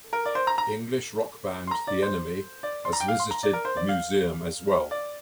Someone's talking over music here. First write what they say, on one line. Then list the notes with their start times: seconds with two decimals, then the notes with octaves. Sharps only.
English rock band The Enemy has visited the museum as well.
0.13 A#4
0.25 D5
0.35 C5
0.47 A#5
0.58 A#5
1.67 C6
1.71 A#5
1.87 D5
2.02 C5
2.63 D5
2.85 C6
2.93 A#5
3.00 G5
3.08 F5
3.20 C6
3.31 A#5
3.43 D5
3.53 A#4
3.65 C5
3.77 D5
3.89 F5
4.91 D5